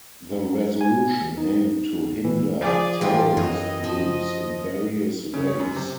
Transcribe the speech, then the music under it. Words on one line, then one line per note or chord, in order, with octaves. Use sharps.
The resolution aimed to hinder terrorist groups in various ways.
G#5
D#4
E3
F3 G#4 D5
G2 E3 F4 G4 G#4
F#2 E3 D#5
F3
C#3
C#5
F#2
C3